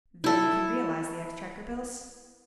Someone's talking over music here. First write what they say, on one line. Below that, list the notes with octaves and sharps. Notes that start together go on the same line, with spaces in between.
"Then you can realize the Exchequer bills?"
E4 A4